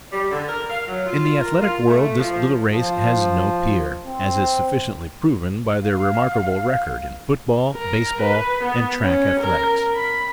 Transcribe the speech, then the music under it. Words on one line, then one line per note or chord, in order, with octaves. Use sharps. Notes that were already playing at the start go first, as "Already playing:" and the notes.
In the athletic world this little race has no peer, as is sufficiently proven by their remarkable record in football, baseball, and track athletics.
G3
D3
A#4
F5
F#3
F4
A#4
F4
A3
F3
F3
C4
F5
A#4
B4
B3
C#4
A#4
B5